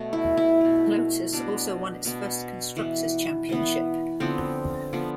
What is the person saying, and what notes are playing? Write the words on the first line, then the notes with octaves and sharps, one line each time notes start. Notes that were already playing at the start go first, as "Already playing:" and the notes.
Lotus also won its first constructors' championship.
Already playing: B2 A3
E4
E4
B2 A3
B2 B3 D4
B2 B3
E3 B3
E3 B3
D3 F3 B3 C4
D3 F3 B3